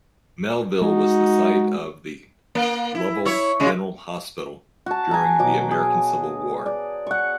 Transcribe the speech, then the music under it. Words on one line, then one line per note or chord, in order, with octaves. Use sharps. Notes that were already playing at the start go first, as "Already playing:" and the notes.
Melville was the site of the Lovell General Hospital during the American Civil War.
G#3 D#4 F#4
A#3
E4
E4 C#5
C#3 G#3
F#4 A5
G#5 A#5
B2 F#3 D6
G#4
D5
F#5 C#6